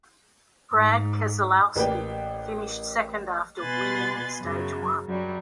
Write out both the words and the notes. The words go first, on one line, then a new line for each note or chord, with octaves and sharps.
Brad Keselowski finished second after winning stage one.
G#2
A1 A#3 G4 B4 D5 G5
B2 B4 G#5 C6 F#6 A6
F#2 C#3 F#3
F#2 F#3 G3